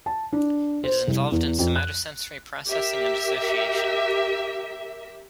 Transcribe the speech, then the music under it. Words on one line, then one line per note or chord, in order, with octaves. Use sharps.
It is involved in somatosensory processing and association.
A5
D4
C5
C2
E2
F2
F#6
G4 A#4 E5